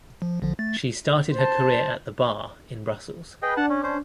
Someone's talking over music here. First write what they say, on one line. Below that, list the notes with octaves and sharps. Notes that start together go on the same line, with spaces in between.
She started her career at the Bar in Brussels.
F3
A#1 D3 F3
A3 A6
C5 A5
G#4 B4 D#5 G5
D4 F#5 A5
C#4
C#4 C5